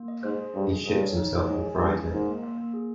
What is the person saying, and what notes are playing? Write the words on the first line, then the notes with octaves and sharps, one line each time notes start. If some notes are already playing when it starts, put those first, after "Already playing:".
He ships himself on Friday.
Already playing: A#3
D#5
G#2 C5
G#4
G2 G#4
D#5
G2 G#4
C#5
D#4
C#5
G#2 G#4
G#5
G2 C#4
G#4
G#2 A#4
A#3
A#3
A#3
G#4